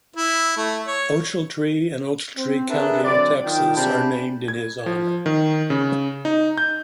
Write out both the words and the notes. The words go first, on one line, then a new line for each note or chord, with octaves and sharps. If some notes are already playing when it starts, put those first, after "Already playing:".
Ochiltree and Ochiltree County, Texas are named in his honor.
E4
A3
C#5
C4
D4 G#4 A#4 B4 E5
D3 F#3 C4 D5
D#3 F3 G5
C3 D4 G#4 G5 A5 B5
G#6
F3
D#3
C#3
D#4
G6